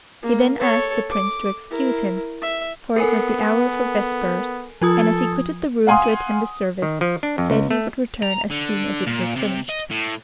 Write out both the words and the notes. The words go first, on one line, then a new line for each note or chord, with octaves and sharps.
He then asked the Prince to excuse him, for it was the hour for vespers, and as he quitted the room to attend the service, said he would return as soon as it was finished.
A#3
A4 C#5
D6
E4 A#4
E5
B3 A4 A#4 G#5
F3 F4 A4 D#6
F5 F#5 G#5 C6 D#6
D#3
F3
D4
F2
C#2
A3
A#5
D3
A#2
C3
D#5
A2